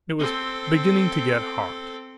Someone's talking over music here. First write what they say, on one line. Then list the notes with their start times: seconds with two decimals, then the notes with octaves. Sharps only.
It was beginning to get hot.
0.19 C4 A4